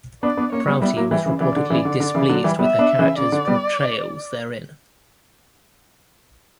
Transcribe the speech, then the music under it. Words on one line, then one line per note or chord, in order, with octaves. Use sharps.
Prouty was reportedly displeased with her characters' portrayals therein.
B3 D4 D5
B3 D4
A#3 C#4 C#5
G3 B3
G3 B3 E4
F#3 A#3
E3 G3 E4
C#3 E3
C#3 E3 D5
D3
C#3 E3
D3
D3
C#3 E3
D3 F#3
E3 G3
G3 B3 E5
B3 D4
C#3 E3
C#3 D5
D3
G3 B3